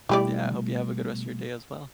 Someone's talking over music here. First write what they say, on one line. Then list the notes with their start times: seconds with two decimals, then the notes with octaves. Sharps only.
Yeah. I hope you have a good rest of your day as well.
0.09 B2 G3 A3 E4 G4 D5